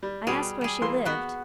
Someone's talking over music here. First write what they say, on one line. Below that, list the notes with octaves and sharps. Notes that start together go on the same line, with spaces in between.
I asked where she lived.
G3
B2 G3 G#4
G3 G#4
E3 A#3 C6
B3 F#4